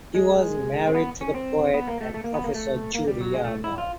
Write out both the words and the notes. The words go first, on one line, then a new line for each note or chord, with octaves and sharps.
He was married to the poet and professor Judy Yarnall.
G#3
C4
B3
C#4
C4
B3
A#3
A3
A3
A#3
B3
A#3
A3
A#3
G3
F#3
G#3
A3
E4
F4